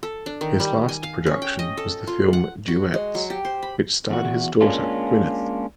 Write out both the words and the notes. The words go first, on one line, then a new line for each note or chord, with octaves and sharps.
His last production was the film "Duets", which starred his daughter, Gwyneth.
A4
D4
D#3
G3
G#5
F5
C#4
G5
D#5
A4
F4
F#5
F#4
G#3
F#3
G4
C5
B5
E2 F#4
G#3 A#3 C#4 D4 F4